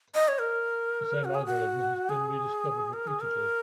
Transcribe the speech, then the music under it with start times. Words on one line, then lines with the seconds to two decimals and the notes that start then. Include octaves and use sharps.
The same algorithm has been rediscovered repeatedly.
0.15 D#5
0.28 C#5
0.40 A#4
1.25 F#4
1.34 G#4
1.46 F#4
2.09 G#4
2.93 A#4
3.07 G#4
3.21 A#4